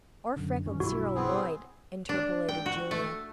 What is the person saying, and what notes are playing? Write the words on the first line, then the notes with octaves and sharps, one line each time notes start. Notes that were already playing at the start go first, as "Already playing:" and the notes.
"Or freckled Cyril Lord," interpolated Julia.
F#2 D3
G2 D#3 F3 C#4
B1 G2 E4 F#4
B3 C4 G#4
D4
G5
F#4
A3